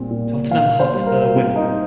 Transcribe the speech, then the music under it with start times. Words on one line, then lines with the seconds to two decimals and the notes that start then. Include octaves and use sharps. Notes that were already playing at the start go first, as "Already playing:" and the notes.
Tottenham Hotspur Women.
Already playing: A#2 G3 C4
0.10 A#2
0.51 A#2 F5
0.79 C5
0.94 G3
1.07 A#4
1.34 C4 F4
1.56 D#4